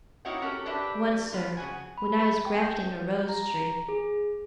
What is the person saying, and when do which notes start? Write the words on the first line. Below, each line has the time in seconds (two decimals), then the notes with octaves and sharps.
"Once, sir, when I was grafting a rose-tree."
0.25 A#3 D#4 E4 F#4 C#5 G5
0.42 C#4 F#4 G4 A4 A#4
0.66 D4 G4 B4 E5
1.33 F4 B4
1.57 C#3 F#4 G#5
1.98 B5
2.46 G5
2.61 G6
3.29 A#5
3.89 G#4